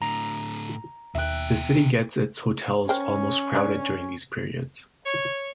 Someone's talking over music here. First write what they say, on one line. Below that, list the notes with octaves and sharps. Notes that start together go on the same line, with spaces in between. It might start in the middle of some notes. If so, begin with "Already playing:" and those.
The city gets it's hotels almost crowded during these periods.
A2 D3 A#5
D#2 B2 E5 G5 F#6
C#4 A#4 C5 G5
D4 B4 D5
C#5